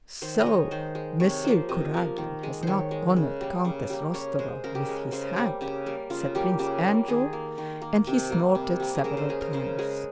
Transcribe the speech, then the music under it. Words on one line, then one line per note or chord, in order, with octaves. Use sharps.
"So Monsieur Kuragin has not honored Countess Rostova with his hand?" said Prince Andrew, and he snorted several times.
D#3 C5
D#5
G#3 C#5
D#3 C5
G#3
C3 C#5
F3 A#3 C5
C3 D#5
F3 A#3
D#3
G#3
D#3 C5 C#5
G#3
C#3
G3 A#3
C#3
G3 A#3
C#3 C#5
G#3 C5
C#3 A#4
G4
G#3
C#3 C5
G3 A#3
C#3 G4
G3 A#3
C#3 F4
G3 A#3 G4
C#3 G4
G3 A#3
D#3 G#4
A#3
D#3
A#3
C3
G3 A#3
C3
G3 A#3
G#4
C#3 A#4
C5
G#3 G#4
A#4
C#3 C5
G#3 G#4